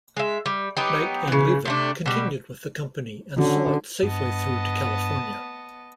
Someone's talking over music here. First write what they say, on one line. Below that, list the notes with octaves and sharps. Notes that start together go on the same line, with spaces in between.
Knight and Leavitt continued with the company and saw it safely through to California.
G#3 E5
G3
F#3 B3 D#4 G4
C#3 E3
C3 A3 D4
B2 G3
D3 C#4 F#4
G2 B3 D#5 A5